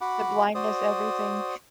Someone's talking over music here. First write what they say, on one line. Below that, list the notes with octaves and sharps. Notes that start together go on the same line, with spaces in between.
The blindness, everything.
F#4 F#5 B5 D6
F#4 C5 D5 D#6